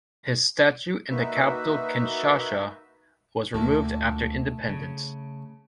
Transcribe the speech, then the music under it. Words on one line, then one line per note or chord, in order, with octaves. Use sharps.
His statue in the capital Kinshasa was removed after independence.
A#3 D#4 F#4 B4 E5
D2 A#2 A3
C#3